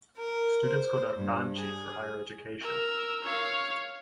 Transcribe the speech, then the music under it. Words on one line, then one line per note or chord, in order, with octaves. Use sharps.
Students go to Ranchi for higher education.
A#4
C5
G2
G#4
A#4 E6
C#5 F5